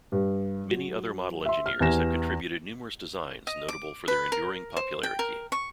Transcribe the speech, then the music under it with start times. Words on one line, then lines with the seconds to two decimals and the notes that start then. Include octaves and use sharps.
Many other model engineers have contributed numerous designs notable for their enduring popularity.
0.12 G2
0.71 F#3
1.46 E5 C6
1.66 F6
1.80 E2 E3 G4 G#5 A#6 E7
3.47 D#5
3.68 D6
4.08 B4
4.32 A#4
4.76 C5
5.03 G5
5.19 A#4
5.52 C#6